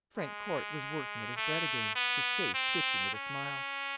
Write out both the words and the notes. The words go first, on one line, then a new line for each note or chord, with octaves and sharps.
Frank Corte was working at his bread again, his face twitching with a smile.
G#3
A3
B3
C4
C#4